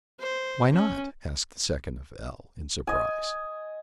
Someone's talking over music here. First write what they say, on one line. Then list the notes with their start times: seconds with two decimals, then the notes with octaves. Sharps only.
"Why not?" asked the second of L--, in surprise.
0.19 C5
0.73 C#4
2.87 D#5 G#5